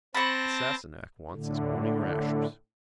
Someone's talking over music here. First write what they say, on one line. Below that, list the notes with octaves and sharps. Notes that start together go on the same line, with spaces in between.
The Sassenach wants his morning rashers.
C4 A5 B5 C#6 A#6
A2 D3